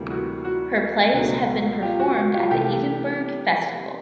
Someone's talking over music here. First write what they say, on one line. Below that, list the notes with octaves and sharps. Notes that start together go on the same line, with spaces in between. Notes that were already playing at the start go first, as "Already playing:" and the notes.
Her plays have been performed at the Edinburgh Festival.
Already playing: D2 C3 E3 G3 A#3
F#4
F#4
C#2 B2 F#3 A3
F4 G4
F#4
F#4
F4 G4
C2 C3 E3 A3 G4 A4